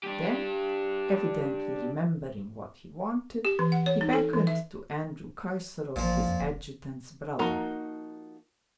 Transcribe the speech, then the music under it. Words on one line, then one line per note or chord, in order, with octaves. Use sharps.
Then, evidently remembering what he wanted, he beckoned to Andrew Kaysarov, his adjutant's brother.
D4 G4
G4
E3
F#5
C#5
D#4
A4
E3
E5
A1 A#2 F3
F2
D#1
F3 A#3 D#4 F#4 A#4